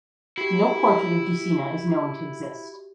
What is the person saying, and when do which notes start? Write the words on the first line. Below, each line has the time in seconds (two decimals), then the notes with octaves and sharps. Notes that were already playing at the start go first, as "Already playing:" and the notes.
No portrait of Dusina is known to exist.
0.38 E4 F#4 G4